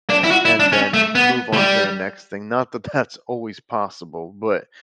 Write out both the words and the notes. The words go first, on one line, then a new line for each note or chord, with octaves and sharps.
a and then move on to the next thing, not that that's always possible, but
D4
E4
F#4
E4
D4
C#4
A3
B3
A3
G3